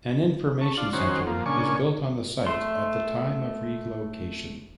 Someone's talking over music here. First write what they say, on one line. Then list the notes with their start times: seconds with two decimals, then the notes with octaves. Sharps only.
An information centre was built on the site at the time of relocation.
0.61 A5 C#6
0.77 D4 F4
0.93 D#3 C#4 F#4 C5
1.27 F3 A#3
1.46 A#2 C#3 D4 G#5 C#6
2.47 A3 C6